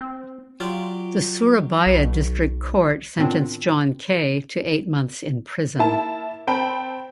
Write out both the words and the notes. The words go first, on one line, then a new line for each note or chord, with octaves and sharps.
The Surabaya District Court sentenced John Kei to eight months in prison.
C4
F#3 F4 G4 D5
B1
A2 D#3 B3 C4 D4 F4
A#3 E4 A5
C4 G5 A5 B5